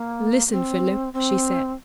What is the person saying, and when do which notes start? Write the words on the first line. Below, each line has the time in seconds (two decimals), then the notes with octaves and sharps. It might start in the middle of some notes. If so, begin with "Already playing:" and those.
"Listen, Philip," she said.
Already playing: A#3
0.47 A#3
0.51 C4
1.13 C4